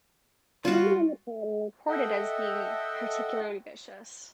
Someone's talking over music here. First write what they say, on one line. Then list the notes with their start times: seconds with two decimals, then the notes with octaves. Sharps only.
The women in the crowd were reported as being particularly vicious.
0.65 G3 F4 F#4
1.88 A4 D#5 E5 F#5 G5